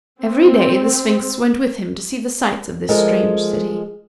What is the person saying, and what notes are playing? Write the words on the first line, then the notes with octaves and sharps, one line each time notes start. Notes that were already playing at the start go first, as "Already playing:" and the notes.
Every day the Sphinx went with him to see the sights of this strange city.
C4
F3 G#3 A4 A#4